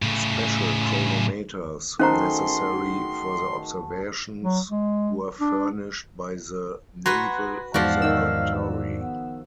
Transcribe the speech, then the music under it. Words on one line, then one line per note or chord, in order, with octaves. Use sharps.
Special chronometers necessary for the observations were furnished by the Naval Observatory.
A2 C#3
D#3 A3 C#4 F#4 G#4 C5 A#5 C6
F#3
G#3
D4
F#4 B4 A#5 C6 G#6
E2 G#2 F3 F#4 D5 F5
D#3 E6
B3